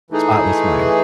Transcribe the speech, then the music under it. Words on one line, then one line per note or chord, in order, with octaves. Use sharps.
Spotless Mind.
E3 A3 D#4 G#4